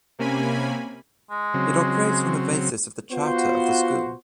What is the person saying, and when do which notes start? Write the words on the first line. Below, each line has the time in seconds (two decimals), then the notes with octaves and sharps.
It operates on the basis of the charter of the school.
0.19 C3 A#3 C#4 G#5 B5
1.30 G#3
1.54 C#3 F#3 C4
3.12 B3 F4 F#4 C5